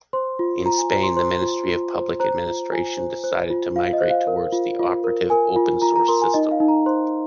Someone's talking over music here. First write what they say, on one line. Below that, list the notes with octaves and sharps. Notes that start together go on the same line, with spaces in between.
In Spain the Ministry of Public Administration decided to migrate towards an operative open source system.
C5 C6
F4
F4 A#5
G#5
C5 A#5
C6
C5 C6
F4
F4
C5
C5 A#5
F4
F4 G#5
C5
C5
F4
F4 F5
D#5
C5
F5
A#4
F4
F4
A#4
A#4 G#5
F4
F4 A#5
A#5
A#4 C6
G#5
D#4 D#5
F5
D#4
A#5
C5 C6